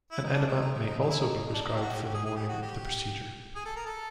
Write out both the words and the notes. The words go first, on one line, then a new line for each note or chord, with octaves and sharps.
An enema may also be prescribed for the morning of the procedure.
E4
D#4
D4
D#4
D#4
D#4
D#4
D#4
E4
D#4
D#4
D4
D#4
G4
F#4
G4
G4
G#4
G#4
G4
F#4
G4
G#4
A4
A#4
A4